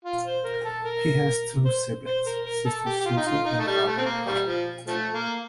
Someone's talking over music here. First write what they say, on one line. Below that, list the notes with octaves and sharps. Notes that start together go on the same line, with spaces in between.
He has two siblings: sister Susie and brother Howard.
F4
C5
A#4
A4
A#4
C5
C5
A#4
A#4
A4
G4
G4
F4
D#4
F4
D#4
A3
G3
A3
C4
A#3
G3
F3
F3 A3
A#3